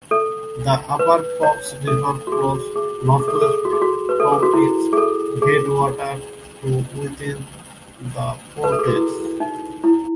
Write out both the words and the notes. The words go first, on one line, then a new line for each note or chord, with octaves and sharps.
The upper Fox River flows northwest from its headwater to within the Portage.
A4
B4
C#5
A4
F#4
G#4
G#4
G#4
A4
G#4
A4
G#4
F#4
G#4
F#4
B4
A4
G#4
F#4
E4
G#4
A4
G#4
B4
A4
G#4
F#4
E4
D#4
E4